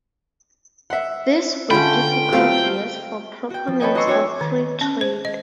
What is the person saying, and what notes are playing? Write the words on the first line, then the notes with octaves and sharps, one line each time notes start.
These were difficult years for proponents of free trade.
E5 F#5 C6
D3 A3 C#4 F4 G5 B5
F#3 A3 C4 F4 G4 D#5 F5
F#4 G5
F3
A4 B4 C#5 D#5 G5 G#5
F#4 D#5 A#5 C6 C#6 E6
D4 F#4 C#5 G5 G#5
D#3
C#4
C5
D#5